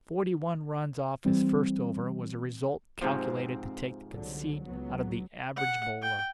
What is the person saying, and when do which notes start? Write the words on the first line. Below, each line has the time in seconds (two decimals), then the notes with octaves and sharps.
Forty-one runs off his first over was a result calculated to take the conceit out of the average bowler.
1.25 E3 G3 C4
3.01 G#2 C3 F3 C4
4.08 C2 D3 F#3
4.64 C#2 F#3 B3
5.56 F#5
6.02 G5